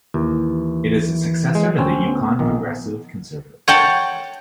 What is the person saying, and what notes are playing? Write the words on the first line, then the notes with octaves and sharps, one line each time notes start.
It is the successor to the Yukon Progressive Conservative Party.
D#2 E3
G#3
D2 C4 C#4
B3
A#1 D#3
C#5 F#5 G5 A5